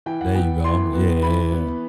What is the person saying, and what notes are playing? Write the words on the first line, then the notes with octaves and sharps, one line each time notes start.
There you go, yeah.
E3 G5
F#5
B3 G5
E3 C6
B3
E3 B5
B3